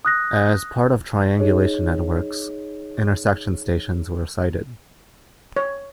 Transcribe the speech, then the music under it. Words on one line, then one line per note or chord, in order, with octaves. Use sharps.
As part of triangulation networks, intersection stations were sighted.
D#6 F#6 A#6
D#4 G#4 C#5 D#5
C#5